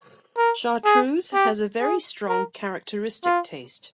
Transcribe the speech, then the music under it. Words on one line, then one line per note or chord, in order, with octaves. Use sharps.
Chartreuse has a very strong characteristic taste.
A#4
G#4
G4
G#4
A#4
F4